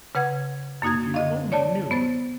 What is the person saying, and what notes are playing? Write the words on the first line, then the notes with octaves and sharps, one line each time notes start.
If you only knew!
C#3 B4 F#5 G#6
F#2 A#3 D#4 F#4 G#6
D3 D#5 F5
C#5 D5 A5
B3 C5 A6